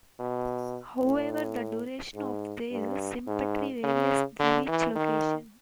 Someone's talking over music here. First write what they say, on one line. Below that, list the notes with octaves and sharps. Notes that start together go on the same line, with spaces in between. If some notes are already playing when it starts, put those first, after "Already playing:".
However, the duration of their sympatry varies with location.
B2
A2
G#2
G2
G#2
C#3
D3
E3
D#3